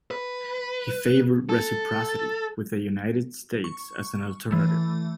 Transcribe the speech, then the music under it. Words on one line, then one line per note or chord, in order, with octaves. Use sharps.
He favoured reciprocity with the United States as an alternative.
B4
A4
C#6
E3 A3